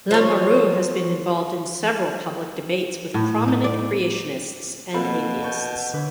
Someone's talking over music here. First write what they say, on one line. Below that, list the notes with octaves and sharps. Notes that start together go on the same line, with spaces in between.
Lamoureux has been involved in several public debates with prominent creationists and atheists.
F3 C#5
A2
D#4
D5
B2 A#3 C4 A4 F5 B5
A5 C#6 G6
D3 B4 C#5